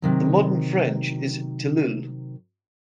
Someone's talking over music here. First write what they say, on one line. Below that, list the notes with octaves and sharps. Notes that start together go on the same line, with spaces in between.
In Modern French it is "tilleul".
C3 D#3 F#3